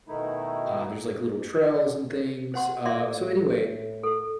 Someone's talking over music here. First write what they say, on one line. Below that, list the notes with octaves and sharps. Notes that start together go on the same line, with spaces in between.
Uh, there's, like, little trails and things. Uh, so anyway,
B2 D#3 A3 D#4 E4
C5 F#5 C6
A2 D5 E5 C6
A4